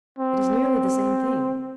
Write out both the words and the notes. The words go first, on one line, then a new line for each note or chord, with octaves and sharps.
It is nearly the same thing.
C4